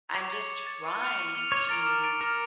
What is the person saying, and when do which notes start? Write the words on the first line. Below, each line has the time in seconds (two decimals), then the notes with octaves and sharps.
I'm just trying to,
0.14 C#5 D6
0.32 A6 C#7
0.49 D6
0.67 A6 C#7
0.83 C#6
1.01 F6 C#7 F7
1.18 C#6
1.35 F6 C#7 F7
1.52 C#5 D6
1.69 A#4 A6 D7 F7
1.86 D6
2.04 A6 D7 F7
2.21 A#4 D6